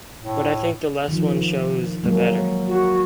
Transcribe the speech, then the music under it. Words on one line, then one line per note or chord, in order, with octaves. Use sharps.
But I think the less one shows the better.
A2
D#3 F3
F#3 G#3 A#3
F#4